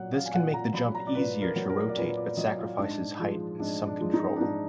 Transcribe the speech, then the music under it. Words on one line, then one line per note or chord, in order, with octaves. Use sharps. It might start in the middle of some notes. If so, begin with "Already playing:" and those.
This can make the jump easier to rotate but sacrifices height and some control.
Already playing: A#2 F#3 F#5
F5
G#5
A#2 F#5
A#5
F#3 B5
A#5
D5
A#2 B4
A#4
F#3
A#4
D5
A#2 B4
D5
F#3 D#5
F4
G#2 D4
F3 G#3
G#2 D4
D4
F3 G#3
D#4
D4
G#2 D#4